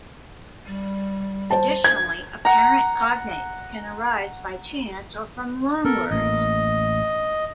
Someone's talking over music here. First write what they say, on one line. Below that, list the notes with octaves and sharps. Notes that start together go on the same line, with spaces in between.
Additionally, apparent cognates can arise by chance or from loan words.
G3
C5 A5
G#6
F#5 A#5
B3 A4 A#4
A1 A3 A#3 D#5